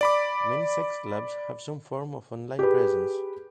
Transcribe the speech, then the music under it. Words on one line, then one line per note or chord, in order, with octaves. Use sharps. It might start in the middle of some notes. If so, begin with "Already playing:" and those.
Many sex clubs have some form of online presence.
D5 B5 D6
G4 G#4 B4